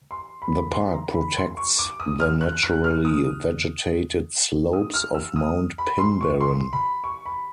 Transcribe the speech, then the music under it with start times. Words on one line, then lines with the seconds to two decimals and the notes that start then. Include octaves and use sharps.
The park protects the naturally vegetated slopes of Mount Pinbarren.
0.11 C6
0.42 B5
0.73 C6
0.94 A#5
1.15 B5
1.37 C6
1.57 C#6
1.79 D6
2.00 D#6
2.20 F6
2.41 F#6
2.63 F#6
2.84 F6
3.05 D#6
4.73 D#6
4.94 F6
5.14 E6
5.36 D#6
5.78 B5
5.98 C6
6.21 C#6
6.41 C6
6.73 B5
7.04 C#6
7.26 B5